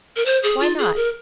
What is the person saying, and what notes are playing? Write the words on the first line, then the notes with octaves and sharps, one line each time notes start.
"Why not?"
A#4
C5
G#4
F4
G#4
A#4